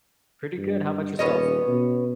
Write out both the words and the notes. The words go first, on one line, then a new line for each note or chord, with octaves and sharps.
Pretty good. How about yourself?
G2
D#1 B3 C#4 D#5
B2